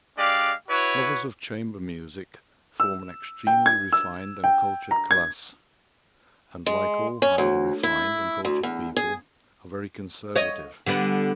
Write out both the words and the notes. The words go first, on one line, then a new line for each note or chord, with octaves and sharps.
Lovers of chamber music form an extremely refined and cultured class, and, like all highly refined and cultured people, are very conservative.
G#3 D4 G4 D5 F5
E4 F#4 B4 C#5
E6
G5
G#6
E6
G5
A#5
G#6
G#3
C#4
D2
E4
D2
E2
G#4
C#5 D#5
D3 G3 B3